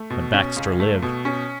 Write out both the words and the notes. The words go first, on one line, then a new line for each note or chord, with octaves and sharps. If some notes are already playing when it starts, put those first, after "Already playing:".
But Baxter lived.
Already playing: A3
B2
C#4
C#2
A3
B2
C#4